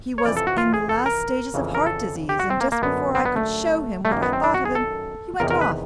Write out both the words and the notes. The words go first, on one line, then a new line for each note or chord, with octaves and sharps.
He was in the last stages of heart disease, and just before I could show him what I thought of him he went off.
C#5
F2 C3 E3 D5
A4
F#4
F4
G#4
A4
A#4
F2 C#3 E3
A#4
A4
G4
F#4
C4
A#3
A#3
F#2 D3 B3
C4
B3
A3
A3
F#2 D#3 A#3
B3
C4
D4
F#4
G#4
A4
E2 C3 D#3 A#4
A#4
B4